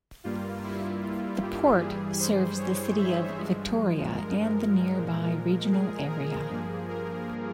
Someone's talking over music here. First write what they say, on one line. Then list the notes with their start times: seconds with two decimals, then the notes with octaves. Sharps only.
The Port serves the city of Victoria and the nearby regional area.
0.24 G2 G3 A#3 F4
0.64 E4
1.03 F4
1.42 G4
1.81 G2 E3 G3 G#4
2.20 C5
2.58 C#5
2.98 E5
3.36 G2 F3 G#3
4.15 A#4
4.93 A#2 F3 G#3
5.72 G#4
6.10 A#4
6.49 G2 F3 A#3 G#4
6.89 A#4